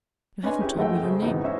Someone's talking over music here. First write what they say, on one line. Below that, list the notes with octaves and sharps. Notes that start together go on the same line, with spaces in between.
"You haven't told me your name."
C#4 D4 B4 D#5 G#5 C6
C#4 E4 G4 G#4
F#2 G#3 A3 D#5 F#5 G5
C#3 A4 C5
G#1 E2 B3 C4 D#4 F#4
C#4 E4 C5 D#5 E5